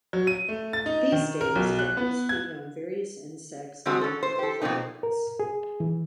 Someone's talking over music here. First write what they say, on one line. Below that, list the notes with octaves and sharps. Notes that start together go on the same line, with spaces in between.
These day geckos fed on various insects and other invertebrates.
F#3
D#7
A3
A6
D#4
D#3
A#4
B1
F#6
B3
G#6
D3 G3 G#3 C4 F#4
C#4 A4
C5
G4 A4
B2 F3 A#3 C4 D#4
A#4
G#4
E3